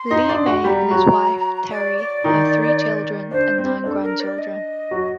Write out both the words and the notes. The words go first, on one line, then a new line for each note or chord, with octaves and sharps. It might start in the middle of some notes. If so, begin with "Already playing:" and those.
Lee May and his wife, Terrye, have three children and nine grandchildren.
Already playing: C6
D#4 D#5
D4 D5
F#4 F#5
G3 G4 A#5 C6
F#3 F#4
D5
D5
D#3 D#4
D4 C5
C4
D4 A4
A#4
D5
D#5
F#3 F#4